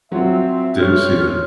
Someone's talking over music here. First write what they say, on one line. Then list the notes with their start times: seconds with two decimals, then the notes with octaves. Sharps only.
Didn't see that.
0.12 F#3 C4 F4 E5
0.79 G4 A4 C#5 C6 F6